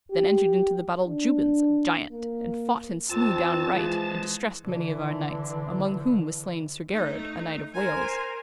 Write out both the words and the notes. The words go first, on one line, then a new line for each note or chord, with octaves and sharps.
Then entered into the battle Jubance a giant, and fought and slew down right, and distressed many of our knights, among whom was slain Sir Gherard, a knight of Wales.
G4
D4
A#3
F2 C4 F4 A5
E3 F3 G#3
D3 E3
A3 D#4
A#4 C5 G#5